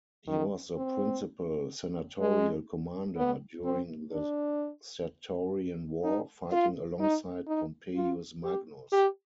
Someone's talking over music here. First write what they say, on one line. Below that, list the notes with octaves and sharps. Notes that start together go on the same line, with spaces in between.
He was the principal Senatorial commander during the Sertorian War, fighting alongside Pompeius Magnus.
D#3
C4
G#3
B3
C4
D4
D#4
F4
D#4
D#4
F4
G4
G4